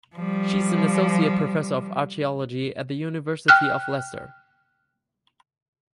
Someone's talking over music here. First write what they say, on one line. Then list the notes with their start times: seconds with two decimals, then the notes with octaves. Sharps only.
She is an Associate Professor of Archaeology at the University of Leicester.
0.15 F3 G3
3.48 G5 F6 F#6